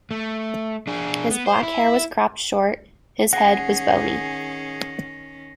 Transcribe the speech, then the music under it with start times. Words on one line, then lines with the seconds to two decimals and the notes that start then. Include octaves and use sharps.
His black hair was cropped short, his head was bony.
0.11 A3
0.87 D4 G#4
1.31 B3
1.46 C5
1.63 E4
3.33 D#3 C#4 G#4 F#5 A#6 C7